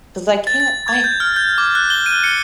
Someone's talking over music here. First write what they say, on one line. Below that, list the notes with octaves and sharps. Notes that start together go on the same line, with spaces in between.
'Cause I can't, I
A6
A6
G#6
G6
F6
G6
D6
F#6
G7
D#7
C#7